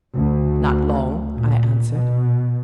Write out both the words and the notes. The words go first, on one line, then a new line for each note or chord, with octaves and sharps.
"Not long," I answered.
D2
A#2
B2